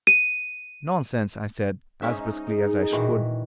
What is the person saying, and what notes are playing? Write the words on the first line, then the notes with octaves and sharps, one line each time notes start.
"Nonsense!" I said, as briskly as I could.
D#7
G#2 C#4 D#4 E5
G#4
A#2 D#3 E3 F#4